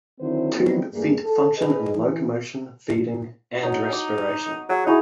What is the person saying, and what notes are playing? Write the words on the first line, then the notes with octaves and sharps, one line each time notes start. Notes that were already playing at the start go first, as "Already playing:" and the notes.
Tube feet function in locomotion, feeding, and respiration.
D3 D#3 F#3 C4 E4 C5
G3 B3 C4 D#4 E4 F#4
E2 G2 A3 A#3 G#4
A4
G#4 B4 D#5
E3
F#3 D#4 D#5
A#5 D6
F#3 G#4
D#4 E4 F#4 G#4